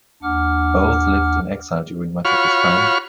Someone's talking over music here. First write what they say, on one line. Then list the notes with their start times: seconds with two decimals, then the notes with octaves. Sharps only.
Both lived in exile during much of this time.
0.23 D#2 D4 F#5 D6 F6
2.25 F4 F#4 C#5 B5 C#6 F6